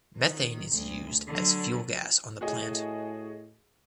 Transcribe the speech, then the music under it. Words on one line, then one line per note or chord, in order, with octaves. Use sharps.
Methane is used as fuel gas on the plant.
D#3
D2
D3 F#3
A2 F#4 G#4 D#5